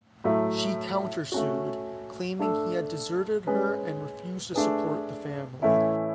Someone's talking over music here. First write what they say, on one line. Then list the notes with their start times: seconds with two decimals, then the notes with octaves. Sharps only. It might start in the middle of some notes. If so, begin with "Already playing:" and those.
She countersued, claiming he had deserted her and refused to support the family.
0.24 A2 F#3 A3
1.32 A3 C#4 F#4
2.39 A3 D4 A4
3.47 G#3 C#4 G#4 B4
4.54 A3 D4 G#4 B4
5.62 A2 E3 A3 C#4 E4